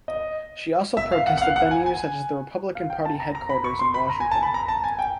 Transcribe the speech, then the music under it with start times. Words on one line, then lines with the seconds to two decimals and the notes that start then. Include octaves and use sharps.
She also protested venues such as the Republican Party headquarters in Washington.
0.08 D#5
0.97 E5
1.12 F5
1.27 F#5
1.37 F#5
1.42 F5
1.56 F#5
1.71 G#5
1.86 G#5
2.75 F5
2.90 G5
3.05 A5
3.20 A#5
3.35 A#5
3.50 B5
3.64 C#6
3.79 C6
3.94 B5
4.10 A#5
4.20 G#5
4.31 A5
4.43 B5
4.54 A#5
4.68 A5
4.84 G#5
4.99 G5